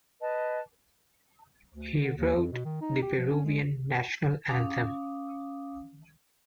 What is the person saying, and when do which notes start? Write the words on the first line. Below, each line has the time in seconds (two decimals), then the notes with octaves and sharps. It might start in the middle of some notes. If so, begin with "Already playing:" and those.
He wrote the Peruvian national anthem.
0.20 B4 D#5 A5
1.73 D2
2.01 D3
2.17 D#2
2.36 F2
2.52 B2
2.65 D#3
2.81 D#4
3.02 G4
3.18 F3
3.30 C#4
3.45 G#3
4.48 C#4 F5 D6 D#6